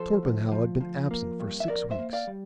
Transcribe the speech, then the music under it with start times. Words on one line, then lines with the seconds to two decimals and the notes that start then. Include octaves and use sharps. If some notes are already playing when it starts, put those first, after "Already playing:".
Torpenhow had been absent for six weeks.
Already playing: F3 A4 C5
0.23 D2
0.51 F3
0.80 F3
1.11 A#3
1.40 G2
1.60 E5
1.68 F2 A#4 D5
1.91 C5 E5
1.99 A#3
2.13 D5 F5
2.27 G3